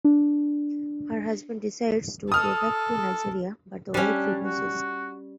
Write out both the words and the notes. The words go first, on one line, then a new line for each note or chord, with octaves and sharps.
Her husband decides to go back to Nigeria but the wife refuses.
D4
A4 D#6 F6
G3 C#4 D4
F#4